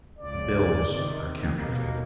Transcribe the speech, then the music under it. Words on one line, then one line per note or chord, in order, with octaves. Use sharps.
"The bills are counterfeit."
C#2 C#3 D5
C3 D#3
D#2 B2 A#3